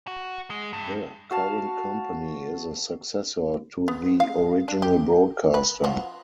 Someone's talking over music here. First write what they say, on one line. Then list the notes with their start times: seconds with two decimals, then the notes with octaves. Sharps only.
The current company is a successor to the original broadcaster.
0.07 F#4
0.50 G#3
0.73 G2
1.31 F#4 F5 A5
3.88 B3
4.20 F5
4.68 D4
4.82 G4
5.54 B4
5.84 F3 F#4